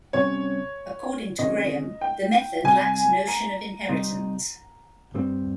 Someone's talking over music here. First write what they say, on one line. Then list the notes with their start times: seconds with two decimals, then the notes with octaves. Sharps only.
According to Graham the method lacks notion of inheritance.
0.13 C3 G3 C#4 C#5
1.39 C3 D#3 G#3 C#4 D#5
2.01 G5
2.64 C2 C3 G3 G#5
3.27 A#5
3.89 C3 G3 C4 D#4
5.14 G2 G3 C4